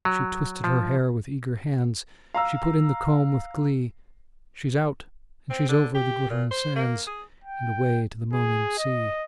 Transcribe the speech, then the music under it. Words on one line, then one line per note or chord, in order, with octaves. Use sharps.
She twisted her hair with eager hands, She put in the comb with glee: She's out and she's over the glittering sands, And away to the moaning sea.
F#3
F3
F5 A#5 E6
C4
D3
G4
A#2
C5
A#3
G#4
G5
G#4
D#5